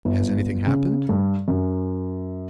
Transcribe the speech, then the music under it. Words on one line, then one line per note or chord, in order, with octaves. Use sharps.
"Has anything happened?"
G1
C#3
G2
F#2